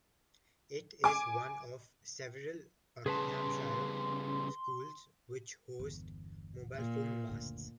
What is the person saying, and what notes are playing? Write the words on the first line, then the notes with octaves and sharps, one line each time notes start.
It is one of several Buckinghamshire schools which host mobile phone masts.
G#5 D6
C#3 G3 G#4 B4 A5 C6
G1 E2
A#2
F#1 D2